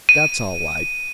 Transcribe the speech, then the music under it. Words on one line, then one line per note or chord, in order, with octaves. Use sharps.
That's all wight.
D#7